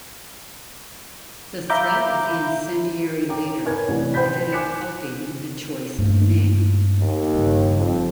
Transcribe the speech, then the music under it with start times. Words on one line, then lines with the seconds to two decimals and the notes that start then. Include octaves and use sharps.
The threat of the incendiary leader ended up helping in the choice of name.
1.70 E5 F5 A#5 B5 D6 G6
3.29 C#5 G5 A#5 D6
3.65 A#4 B4 C#5 G#5 G#6
3.88 A1 A2 C3 G4 B4 D5
4.14 B4 C5 G5 B5 G6 B6
4.52 G#5 D6 F#6 B6 C#7 E7
5.98 G2 A3 A#3
7.01 D#2
7.34 G1 G2 C#3
7.79 F2